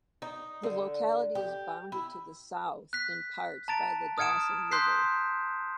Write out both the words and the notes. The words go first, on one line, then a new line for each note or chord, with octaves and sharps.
The locality is bounded to the south in parts by the Dawson River.
D#4
D3
G4
E4
F#6 B6
A5 A#5 A6 D7
D#6 F6 G#6 C#7 D7 E7
C6 D#6 F#6 G6 B6 C7